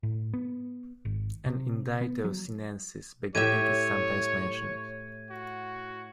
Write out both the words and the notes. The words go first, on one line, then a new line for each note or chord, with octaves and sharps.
An "indictio Senensis" beginning is sometimes mentioned.
A2
B3
G#1
C3
B3
F#3
A2 G4 C#5 E5 G#6 D#7
F#4